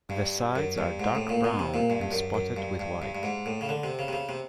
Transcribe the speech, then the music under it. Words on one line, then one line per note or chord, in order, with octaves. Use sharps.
The sides are dark brown and spotted with white.
G2
F#2
G2
G#2
A2
A#2
B2
C3
A#2
G2
G2
F#2
F#2
G2
G2
G2
G2
G#2
A2
C#3
D3
C3
C#3
C3
C#3
C3